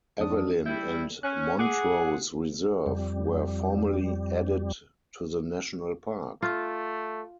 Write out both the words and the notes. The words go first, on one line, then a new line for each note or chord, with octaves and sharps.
Evelyn and Montrose Reserve were formally added to the national park.
F2 D4 D#6
G3 E4 G6
C#4 F#6
G#4 F#5 G#5 D6
F2 G3
A3 F4